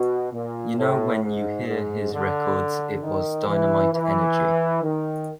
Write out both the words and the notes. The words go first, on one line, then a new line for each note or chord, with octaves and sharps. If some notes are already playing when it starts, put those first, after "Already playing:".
You know when you hear his records it was dynamite energy.
Already playing: B2
A#2
A2
G#2
G#2
D3
D#3
E3
E3
D#3